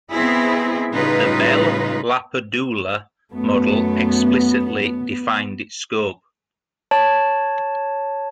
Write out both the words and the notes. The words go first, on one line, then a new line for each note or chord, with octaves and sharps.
The Bell-LaPadula model explicitly defined its scope.
B3 C4 E4 G#4 D#5
A2 C#3 G3 D#4 F4 B4
F#2 A3 B3
C#5 A5